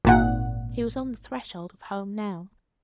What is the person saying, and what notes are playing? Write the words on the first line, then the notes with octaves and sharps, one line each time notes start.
He was on the threshold of home now.
G#1 A#2 F#5